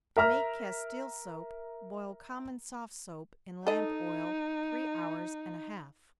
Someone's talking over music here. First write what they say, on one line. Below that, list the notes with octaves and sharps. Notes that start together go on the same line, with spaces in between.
To make Castile soap, boil common soft soap in lamp oil three hours and a half.
A#4 E5 A#5 F6
D#4 A4 D#5